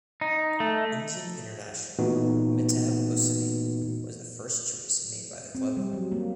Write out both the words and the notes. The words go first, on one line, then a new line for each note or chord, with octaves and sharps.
Indian international Mehtab Hossain was the first choice made by the club.
D#4
A3
A#2 E3 A3 B3 D#4 F#4
C4
G3
F#3
A#3